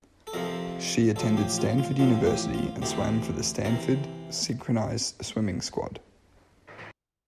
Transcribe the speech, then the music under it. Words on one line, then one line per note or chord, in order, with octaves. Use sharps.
She attended Stanford University and swam for the Stanford Synchronized Swimming Squad.
A4
F2 C3 F3 A#4
A1 A2 F3 A4
G4
F4
F4
A1 A2 F3 F4
G4
F4
D2 C3 E3 G4
C3 E3 A#4